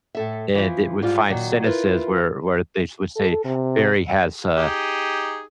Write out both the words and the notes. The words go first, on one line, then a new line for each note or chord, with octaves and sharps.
and it would find sentences where where they s would say berry has, uh,
A2 A4 E5
E3 F3
G#2 G3 F4
A#2 D#3 F#3
E4 F4 A#4 B4
A4
C3
D#4 G4 G#4